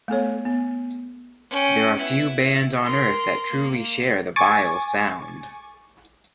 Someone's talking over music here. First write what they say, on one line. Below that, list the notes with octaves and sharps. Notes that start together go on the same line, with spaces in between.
There are few bands on earth that truly share the Bile sound.
A3 B3 A4 C#5
B3
C#4 G5
B3 E4
E4
A#4 C6
A#3
G#5 C#6 D6 G#6 A6